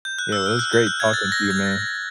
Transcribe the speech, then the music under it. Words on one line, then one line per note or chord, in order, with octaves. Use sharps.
Yeah, well, it was great talking to you, man.
G6
F#6
E6
F6
F#6
G6
F#6
G#6
A6
A#6
G#6